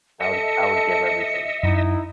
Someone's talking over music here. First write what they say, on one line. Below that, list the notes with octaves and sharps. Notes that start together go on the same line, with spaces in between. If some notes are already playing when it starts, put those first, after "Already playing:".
I would I would give everything.
A4 D#5 E5 C#7
F#2 D#4 E4